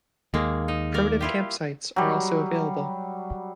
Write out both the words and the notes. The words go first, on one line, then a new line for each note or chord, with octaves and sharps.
Primitive camp sites are also available.
D#2 G#3 A#3
D#4
A#4 D5
E4 F4 G4
F#3 G3